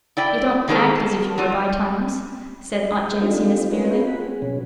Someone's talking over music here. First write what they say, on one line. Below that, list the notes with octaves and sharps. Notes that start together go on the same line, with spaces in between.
"You don't act as if you were by times," said Aunt Jamesina severely.
E4 D5 G5
D#3 G#3 E4 A4 A#4 C5
A5
F#3 F4
G#4 G5
A3 C4 D4 D#4 F4 G4
C#4 F4 F#4 G#4 A#4 B4
F#5 B5
G#4
B2 F#3 C#4